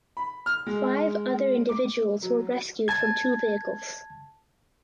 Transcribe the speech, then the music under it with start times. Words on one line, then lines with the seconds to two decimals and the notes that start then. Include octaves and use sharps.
Five other individuals were rescued from two vehicles.
0.17 B5
0.46 F6
0.67 G#3
1.69 D6
2.22 F#3
2.88 A5 G#6